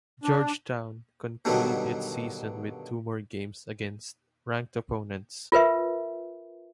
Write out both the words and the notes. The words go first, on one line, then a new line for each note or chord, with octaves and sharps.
Georgetown concluded its season with two more games against ranked opponents.
D4
G2 B2 D3 D#3 F#3
F4 A#4 B4 E5